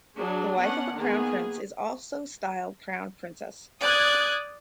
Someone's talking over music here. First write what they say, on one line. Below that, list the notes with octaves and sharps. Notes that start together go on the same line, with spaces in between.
The wife of a crown prince is also styled crown princess.
F#3 D4 G#4
B3 C#4 D4 F#5
D#3 A#3 B3 G#4
D5 D#6 F#6 G#6